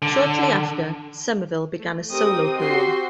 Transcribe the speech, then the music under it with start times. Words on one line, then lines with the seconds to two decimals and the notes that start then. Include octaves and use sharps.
Shortly after, Somerville began a solo career.
0.02 D3
1.77 A3
2.11 C4 D#4 G4 A#4 D#6
2.58 F#4 G4 C6